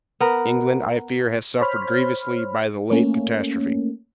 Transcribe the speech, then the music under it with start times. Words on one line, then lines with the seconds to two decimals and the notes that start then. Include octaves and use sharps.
England, I fear, has suffered grievously by the late catastrophe.
0.20 B3 A#4
1.61 C5 C#5 B5 F6
2.91 A3 A#3 C#4